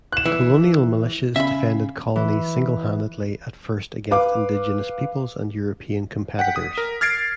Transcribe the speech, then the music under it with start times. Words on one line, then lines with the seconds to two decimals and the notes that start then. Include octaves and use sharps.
Colonial Militias defended colonies single-handedly at first against Indigenous peoples and European competitors.
0.12 F#6 E7
0.26 E3
1.36 C#3 E5 B5
2.16 E3
4.11 B4 F5 D6
6.39 F#5 G5 B6
6.56 D#6
6.78 A#4
7.01 F6 G#6 A6 C7 D7